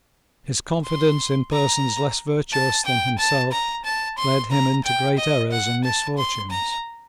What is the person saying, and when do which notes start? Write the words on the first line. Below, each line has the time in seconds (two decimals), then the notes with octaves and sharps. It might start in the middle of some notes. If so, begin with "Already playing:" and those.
His confidence in persons less virtuous than himself led him into great errors and misfortunes.
0.86 C6
1.52 A#5
2.52 A5
2.85 G5
3.18 A5
3.52 A#5
3.84 A5
4.18 C6
4.51 A#5
4.85 G5
5.18 D#5
5.51 F#5
5.84 A5
6.17 C6
6.51 A#5